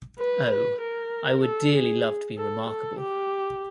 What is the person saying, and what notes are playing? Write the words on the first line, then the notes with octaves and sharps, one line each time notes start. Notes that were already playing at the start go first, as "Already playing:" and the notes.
Oh, I would dearly love to be remarkable.
B4
B4
A#4
A4
G#4
A4
A4
G4